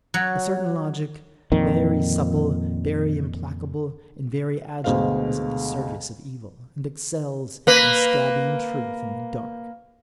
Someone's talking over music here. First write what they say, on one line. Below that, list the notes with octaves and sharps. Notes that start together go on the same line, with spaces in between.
A certain logic, very supple, very implacable, and very agile, is at the service of evil, and excels in stabbing truth in the dark.
F#3
F2 A#2 D#3
D2 B2 G#3 C5 F5
A#3 B4